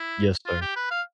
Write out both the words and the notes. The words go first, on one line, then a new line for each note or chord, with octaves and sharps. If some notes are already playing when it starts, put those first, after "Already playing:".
Yes, sir.
Already playing: E4
F4
G4
B4
F5